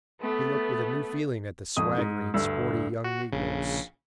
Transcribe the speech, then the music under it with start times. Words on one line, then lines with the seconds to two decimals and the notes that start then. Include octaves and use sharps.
He looked with a new feeling at the swaggering, sporty young negroes.
0.21 A3 B3
1.76 G#1 F2 D#6
1.98 G#2
2.34 D2 G2 E6
3.04 F#4
3.32 A#1 C#3